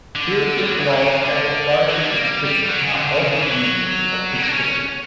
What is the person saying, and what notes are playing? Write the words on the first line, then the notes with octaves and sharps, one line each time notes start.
Butyl gloves and respiratory equipment are also used to complete the suit.
D3
G3
F#3
E3
D3
C#3
D3
E3
F#3
G3
A#3
G3
G3
F#3
C#3
D3
D3
C#3
C#3
E3
F#3
G3
A#3
D4
C#4
C#4